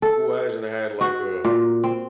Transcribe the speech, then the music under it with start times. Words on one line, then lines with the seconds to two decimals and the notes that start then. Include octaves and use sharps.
who hasn't had like, uh
0.02 A4
1.01 F#4
1.45 A#2
1.84 C4